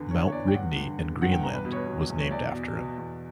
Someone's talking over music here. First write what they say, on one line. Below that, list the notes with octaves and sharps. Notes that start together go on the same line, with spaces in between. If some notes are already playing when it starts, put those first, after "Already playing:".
Mount Rigny in Greenland, was named after him.
Already playing: E2 D3 B4
D3 C#5
C#5
E2 D5
G5
G2 F#5
D3
D3
G2 F#5
G5
E2 A#5
B4
B2 B4
C#5
B4
B2
E2
C#5
E2 D5
B2
B2
E2